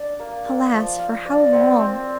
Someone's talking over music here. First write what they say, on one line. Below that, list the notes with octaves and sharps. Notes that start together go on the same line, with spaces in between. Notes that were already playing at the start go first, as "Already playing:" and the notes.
Alas! for how long!
Already playing: D4 D5
A#3
A#4
F3
F5
D5
C4
C4